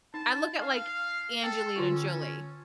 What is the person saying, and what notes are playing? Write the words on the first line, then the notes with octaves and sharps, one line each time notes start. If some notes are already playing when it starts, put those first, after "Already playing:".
I look at, like, Angelina Jolie,
D#4 A5
F5
A4 G5
D3 C#4 F4 C#6